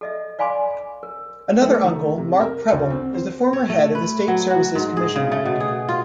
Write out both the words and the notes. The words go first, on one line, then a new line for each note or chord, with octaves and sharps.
Another uncle, Mark Prebble, is the former head of the State Services Commission.
A4 D#5 E5
D5 F5 G#5 B5 C6 D6
A#4
A3
D#3
C3
A#4
D2
C4
C5
C#5
A3
B4
F#3
F#4
G#2
G#4
C#3
A3
B2
G#4
F4